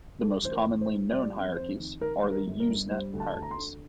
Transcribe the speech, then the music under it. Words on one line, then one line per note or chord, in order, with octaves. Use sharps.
The most commonly known hierarchies are the "Usenet hierarchies".
G3 A4
A1 C5
A#4
A1
C5
A2
G3 D5
F2
F2 C5
D#3
D#3 A#4
G3
A#4
G1
A#4
G2
G3 C5
D2
A5
D2 A5
A#5
C6
D3